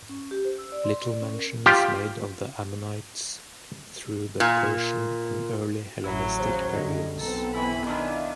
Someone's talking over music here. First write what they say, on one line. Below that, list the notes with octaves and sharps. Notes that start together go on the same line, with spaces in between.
Little mention is made of the Ammonites through the Persian and early Hellenistic periods.
C#4
G4
C5
E6
D5
C6
D5
C#4
A#4
F4 G4
A#2
A1 F#3 E4
D#2 C#3 C5
F#2 D3 G3 D#5
B1 B3 C4 A4 A#5
E3 E4 G#5 B5
D#3 D4 E4 F4